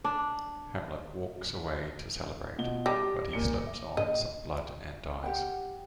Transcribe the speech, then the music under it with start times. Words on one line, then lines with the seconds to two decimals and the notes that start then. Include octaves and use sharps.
Hamlet walks away to celebrate, but he slips on some blood and dies.
0.04 D4
2.58 B2 F4 G7
2.86 G3 A5 D6 A#6
3.32 A#2 C#7 G7
3.66 E5
3.97 A#1 D#5
5.24 G4 F#5 G5